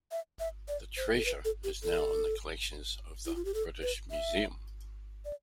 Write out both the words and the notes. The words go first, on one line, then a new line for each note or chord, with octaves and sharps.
The treasure is now in the collections of the British Museum.
E5
E5
D5
C5
A4
B4
A4
G4
A4
E4
F4
G4
A4
B4
E5
D5